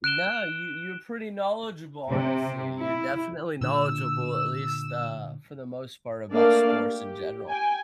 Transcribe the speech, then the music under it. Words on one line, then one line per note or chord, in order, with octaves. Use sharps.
no, you you're pretty knowledgeable, honestly, you're definitely knowledgeable, at least, uh, for the most part about sports in general.
F#6 D7 E7 G7
C3
E4
A#2 D3 E6
A3 A#3 D4 A#4 D5 F5
G4
G5 G#5